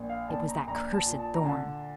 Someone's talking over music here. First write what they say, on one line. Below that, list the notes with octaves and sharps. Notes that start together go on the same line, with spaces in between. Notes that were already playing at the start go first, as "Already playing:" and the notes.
"It was that cursed Thorn."
Already playing: A#1
F5
A#1 A5
A#5
A#1 A#5
A5
A#2
A5
A#5
D3 A5